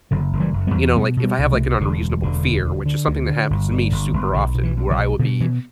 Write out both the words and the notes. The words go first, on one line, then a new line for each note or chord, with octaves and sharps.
You know, like if I have, like, an unreasonable fear, which is something that happens to me super often, where I will be
F#1 D3 F#3
F#1
E3 G3
F#1
G3 B3
E2
B2 G3 B3
B2
G3 B3
C2
F#3 A3
B2
E1 D3
D2
E1 D3
D2
D3
D3
D2
D3
G1
D3
G1
G1
B1 D3
B2
E3
B1
D3 F#3
B2
B2 D3
B2 E3